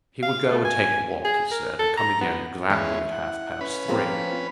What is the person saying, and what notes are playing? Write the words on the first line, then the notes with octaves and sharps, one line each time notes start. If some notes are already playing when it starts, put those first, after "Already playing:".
He would go and take a walk, he said, and come again exactly at half-past three.
F5
A3
G#5
G#4
A#4
A4
A#5
B3
E2 G#3 C#4 E4
F#5
C#4 B4 B5
F3 A#3 C4